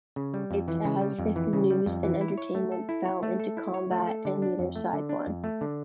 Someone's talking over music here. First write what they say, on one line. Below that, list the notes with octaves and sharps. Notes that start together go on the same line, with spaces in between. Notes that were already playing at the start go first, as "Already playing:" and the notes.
It's as if news and entertainment fell into combat and neither side won.
C#3
G3
F2
E3
C#3
G3
F2
E3
C#3
G3
F2
E3
E4
C#5
A3
A4
E4
C#5
A3
A4
E4
C#5
A3
A4
D3
D4
F2
A3
D3
D4
F2
A3
D3